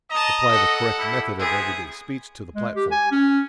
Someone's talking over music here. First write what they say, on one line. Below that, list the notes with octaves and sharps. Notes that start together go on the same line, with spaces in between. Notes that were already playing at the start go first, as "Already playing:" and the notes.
Apply the correct method of everyday speech to the platform.
D#5 A5 A#5
A4 F#5
G3 E4
B3 C4 E4 G#4
G#3
G4
G#5
C#4